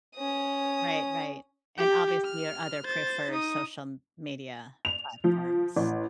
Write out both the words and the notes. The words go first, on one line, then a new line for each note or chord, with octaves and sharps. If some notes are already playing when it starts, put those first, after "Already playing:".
Right, right. And, obviously, your other preferred social m media platforms.
C#4 D#6
G4
F6
C5 A6
D#4 D#6
F7
F3
A1